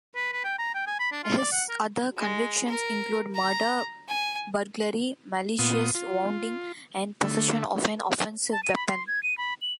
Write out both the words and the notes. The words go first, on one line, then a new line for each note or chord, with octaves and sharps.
His other convictions include murder, burglary, malicious wounding and possession of an offensive weapon.
B4
B4
G5
A#5
G5
G#5
B5
D4
F4
D5
F#5
A#4
G#3
A#4
A#5
G#5
A#2 B3 F4 D#6
F4
D3 A3
A5
D#7
B5
C6
G#6
D#7
B5
F#7